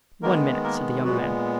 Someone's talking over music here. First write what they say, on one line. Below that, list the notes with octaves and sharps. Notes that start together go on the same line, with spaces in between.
"One minute," said the young man.
D#3 G#3 A#3 B3 A#4
A#3 A#4
A#2 F#3 G#3 B3 F#4